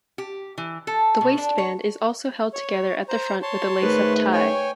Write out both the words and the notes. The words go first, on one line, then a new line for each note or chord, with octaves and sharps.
The waistband is also held together at the front with a lace-up tie.
G4
E3
A4
B2
D4
C#5
C#5
C5 A#5
C#5 A5 C6
G#2 D#3 A3 B4
C#5 G5 G#5